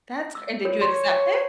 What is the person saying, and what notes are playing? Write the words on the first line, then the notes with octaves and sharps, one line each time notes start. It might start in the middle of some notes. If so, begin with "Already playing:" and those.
That's cr and did you accept it?
E6
F4 A#4 C#5
C#5 C6